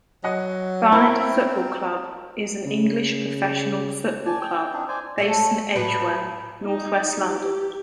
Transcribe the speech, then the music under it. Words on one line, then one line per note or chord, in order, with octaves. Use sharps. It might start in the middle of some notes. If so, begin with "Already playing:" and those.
Barnet Football Club is an English professional football club based in Edgware, north-west London.
F#3 D#5 F#5
C4 E4 A#4
C#3
D5 G#5 A5
G5
C4 D4 D#4
C5 D5 G#5
A3 C#4 A4
A2 F#3 B4
D#4
G4